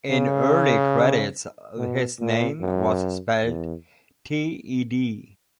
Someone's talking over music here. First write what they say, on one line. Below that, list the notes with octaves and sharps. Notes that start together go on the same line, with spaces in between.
In early credits, his name was spelled "T-E-D".
C#3
B2
A#2
F#2
E2